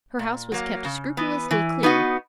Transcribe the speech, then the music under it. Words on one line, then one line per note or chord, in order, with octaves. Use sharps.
Her house was kept scrupulously clean.
A#2
F#3 A#3
C#3
E3 B3
E3
B3 D#4 F#4